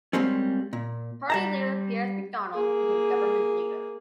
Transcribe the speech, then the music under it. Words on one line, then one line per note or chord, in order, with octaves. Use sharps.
Party leader Piers McDonald became Government Leader.
G3 G#3 A#3 C4 C#4
A#2
G3 A5 A#5
A#3 G#4